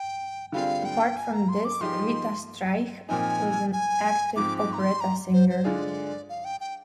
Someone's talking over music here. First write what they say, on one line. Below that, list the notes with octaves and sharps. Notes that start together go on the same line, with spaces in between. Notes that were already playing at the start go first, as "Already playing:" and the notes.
Apart from this Rita Streich was an active operetta-singer.
Already playing: G5
D3 G3 C4 F4 G#4 F5
G5
G#5
A#5
C6
D6
F3 G#3 D#4 G4 C6
A#2 F3 C4 D#4 G#5
G#5
G#2 F3 C4 D6
D6
A#5
C6
A#5
C5
C5
D3 G#3 D4 F4 G#4 D5
F5
G5
G5